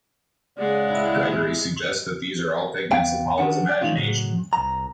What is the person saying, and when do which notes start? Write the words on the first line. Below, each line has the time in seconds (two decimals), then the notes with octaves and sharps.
Gregory suggests that these are all figments of Paula's imagination.
0.58 C#3 G#3 D5 F#5
0.90 E4
2.92 E2 B3 F5 G5
3.38 D#3 C#4 D4 F#5
3.69 D5
3.81 E3 F3 A3 C#4 D#4 F4
3.96 A2 C#3 F#3
4.53 C2 A#5